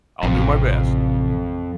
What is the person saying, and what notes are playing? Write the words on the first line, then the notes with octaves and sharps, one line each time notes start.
I'll do my best.
A1 F2 C3